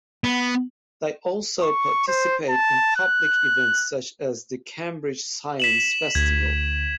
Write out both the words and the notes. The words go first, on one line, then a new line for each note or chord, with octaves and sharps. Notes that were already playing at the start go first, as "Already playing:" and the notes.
They also participate in public events such as the Cambridge Science Festival.
B3
C#6
C5
A5
F#6
B6 E7 F#7
D2 G#6